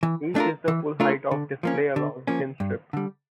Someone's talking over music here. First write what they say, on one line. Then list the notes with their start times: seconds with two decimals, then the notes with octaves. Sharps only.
Each is the full height of the display-a long, thin strip.
0.03 E3
0.35 A3 D4 F4 A#4
0.68 E3
1.00 A3 D4 F4 A#4
1.31 D3
1.63 F3 A#3 C#4
1.96 D3
2.27 F3 A#3 C#4
2.60 G2
2.93 D3 G3